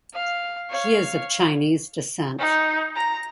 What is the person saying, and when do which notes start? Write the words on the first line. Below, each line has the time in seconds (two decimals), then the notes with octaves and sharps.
He is of Chinese descent.
0.13 F5
0.70 C#5 F5
2.39 D#4
2.96 A#5